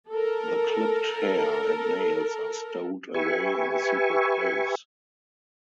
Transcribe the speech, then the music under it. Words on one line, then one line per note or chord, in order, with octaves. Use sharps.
The clipped hair and nails are stowed away in a secret place.
A4 A#4
G4 B4 E5 G#5 C#6